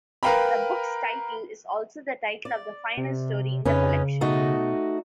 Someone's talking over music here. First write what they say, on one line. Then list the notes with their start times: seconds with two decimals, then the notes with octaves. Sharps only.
The book's title is also the title of the final story in the collection.
0.23 A#4 B4 F5 G5 A#5 B5
2.45 D5
2.97 C3
3.65 F2 C#3 C#4 D#4 B4
4.21 B2 A3 D#4 F#4